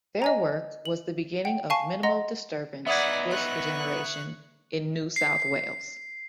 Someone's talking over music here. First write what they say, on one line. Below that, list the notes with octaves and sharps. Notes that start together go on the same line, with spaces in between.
Their work was the beginning of minimal disturbance bush regeneration in New South Wales.
D#5 G#5 A#5
F#7
F#5 G5
F5 G#5 A5 C#6 C7 D#7
D#5 F#5 A#5 C6 A#6
B3 D#4 D5 E5 F#5 D#6 G#6
C#6 F#6
C7